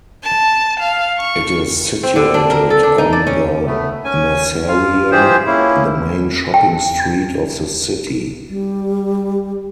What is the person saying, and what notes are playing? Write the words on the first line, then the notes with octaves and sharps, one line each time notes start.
It is situated on the Merceria, the main shopping street of the city.
A5
F5
C#6
C4
D3
D4
A#4
A4
D4
D#4
D5
C#4
A3 B3
C#4 G#5
F4 F5
E3 F4 G4 G#4 C5
A#3 C#4 E4
G5
G3